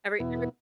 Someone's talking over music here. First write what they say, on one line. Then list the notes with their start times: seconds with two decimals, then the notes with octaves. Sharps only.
Every every
0.20 E2 B2 B3 E4